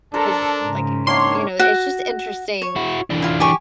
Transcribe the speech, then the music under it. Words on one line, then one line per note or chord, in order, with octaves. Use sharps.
'Cause, like, again, you know, it's just interesting
D4 A4 A#4 C5 A#5
G#2 C#3
D#3 A#3 D4 C#5 C6
F#4
C#5
E4 F#4
E3 D4
E4 F4
G4 G#5 C#6